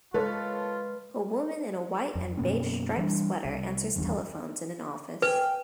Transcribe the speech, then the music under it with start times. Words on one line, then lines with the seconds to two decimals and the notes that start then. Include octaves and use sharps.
A woman in a white and beigestriped sweater answers telephones in an office.
0.14 G#3 F4 A4 B4 C#5
2.15 F2
2.37 F#2 B2 A#3 C#4
2.97 E3 G3 D4
3.45 C2
3.95 G1 E2 G2 D#3
5.22 B4 G5 G#5